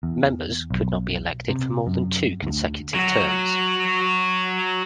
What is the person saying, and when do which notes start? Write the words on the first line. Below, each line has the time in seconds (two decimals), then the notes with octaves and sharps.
Members could not be elected for more than two consecutive terms.
0.03 E2
0.71 B1
1.50 C3
1.87 F#2
2.43 D2
2.95 F#3 F#4